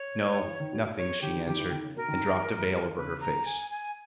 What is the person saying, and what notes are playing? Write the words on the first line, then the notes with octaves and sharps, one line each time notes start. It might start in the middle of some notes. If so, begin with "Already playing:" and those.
"No, nothing," she answered, and dropped a veil over her face.
Already playing: C#5
E3
D#3
B2
B2
C#5
D#3 G4
D#3 G4
E3
D#3
C#3
B2 A#4
D#3
E3
E3
G3
E3
C#3 B4
A#5
G#5
G#5